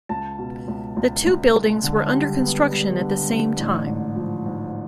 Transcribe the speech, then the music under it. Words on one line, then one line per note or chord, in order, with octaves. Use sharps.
The two buildings were under construction at the same time.
C#2 A5
B2
C#2
C#2
C#2
G#3
D3
G3
B3
G3
D3
D3
A1
G#2
F3
G#2